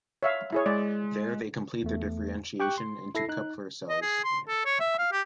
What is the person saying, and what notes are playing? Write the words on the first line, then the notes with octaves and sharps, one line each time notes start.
There they complete their differentiation into Kupffer cells.
C#5 E5 F5
E4 G#4 C#5
G#3 D5
E2 A3
G4 G5 C#6 F#6
C6
E4 A4 A#6 C7
D#4 F#6
D#5
G#4
C6
A4
C#5
E5
F5
G4